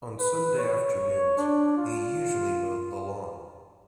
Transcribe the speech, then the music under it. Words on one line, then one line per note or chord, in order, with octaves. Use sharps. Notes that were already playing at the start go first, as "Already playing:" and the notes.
On Sunday afternoons he usually mowed the lawn.
B4
C#5
D4
F4